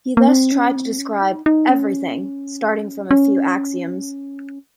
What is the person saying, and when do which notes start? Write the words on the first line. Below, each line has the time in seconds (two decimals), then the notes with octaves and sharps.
He thus tried to describe "everything" starting from a few axioms.
0.17 A#3
0.28 C4
0.52 C#4
0.76 C4
0.99 C#4
1.22 D#4
1.46 D#4
1.69 C#4
3.11 C#4